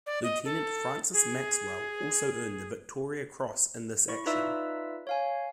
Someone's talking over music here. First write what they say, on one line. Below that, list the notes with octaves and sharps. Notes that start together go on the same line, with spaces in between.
Lieutenant Francis Maxwell also earned the Victoria Cross in this action.
D5
D#5
A4
G#4
E4 C#6
D#4 F4 B4 D5 E5 E6
C#5 F5 G#5